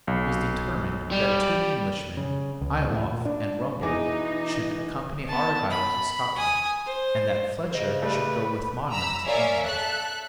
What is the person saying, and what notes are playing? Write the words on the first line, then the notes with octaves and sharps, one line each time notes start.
It was determined that two Englishmen, Ayloffe and Rumbold, should accompany Argyle to Scotland, and that Fletcher should go with Monmouth to England.
B1
G3
C#3
C#2
A2
A#2
D4
B2 E3 D#4 G#4 D6
B3 A5
B5
G#5 D#6
C5
C#3 C5 D#5
A3 G4 B4 D5
A#5 B5 E6
A#4 C#5 D5 E5 F5 G#5
A4 E5 F#6